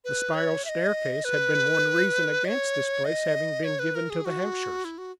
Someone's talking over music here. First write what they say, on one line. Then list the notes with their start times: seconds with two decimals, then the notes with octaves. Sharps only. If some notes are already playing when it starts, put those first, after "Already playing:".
The spiral staircase had been one reason against this place having been given to the Hampshires.
0.04 B4
0.35 C#5
0.65 E5
0.69 D#5
1.24 B4
2.45 D#5
2.48 C#5
3.05 D#5
3.64 C#5
3.79 B4
3.95 A#4
4.10 G#4
4.25 F#4
4.84 E4
4.98 F#4